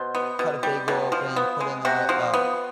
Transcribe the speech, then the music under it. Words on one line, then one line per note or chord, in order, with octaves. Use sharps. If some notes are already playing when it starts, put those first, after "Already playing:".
cut a bagel open, put it in my, uh,
Already playing: B2 C5
B3
B2
G3
B2
F3
B3
G#3
C3 F#4
F3
B3